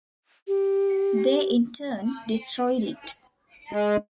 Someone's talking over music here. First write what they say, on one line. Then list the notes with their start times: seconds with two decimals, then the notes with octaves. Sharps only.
They in turn destroyed it.
0.48 G4
3.73 G#3